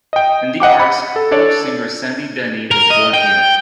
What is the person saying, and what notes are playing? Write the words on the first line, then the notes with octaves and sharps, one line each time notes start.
In the arts, folk singer Sandy Denny was born here.
D#5 G5
D#5 F#5 G5 D6
F#5 B5 C#7
A4
D4 A4 C#5 D5
A#4
D#5
G5